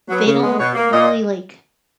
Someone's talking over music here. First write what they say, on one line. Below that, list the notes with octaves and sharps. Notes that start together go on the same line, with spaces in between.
they don't really like
F#3 B3
C#3
G#3 B3
B2 C#5
A#3
A#2 D#5